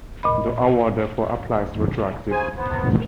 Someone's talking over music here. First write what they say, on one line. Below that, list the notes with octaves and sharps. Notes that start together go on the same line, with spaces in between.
The award therefore applies retroactively.
A#2 D#5 B5
C#3 G#4 C5 G#5
B3 C5